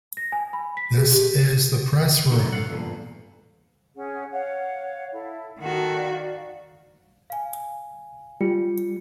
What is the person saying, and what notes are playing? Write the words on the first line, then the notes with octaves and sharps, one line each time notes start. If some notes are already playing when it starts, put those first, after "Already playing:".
This is the Press Room.
A#6
G#5
B5
B6
G#4
G4
D#4 A4
F5 F#5
E2 G2 A#2
C#4 G#4 F#5
C#5 F5 F#5
E4 A4
D#3 F#4 A4
D5 F5
F5 G#5
G3 F4 C#7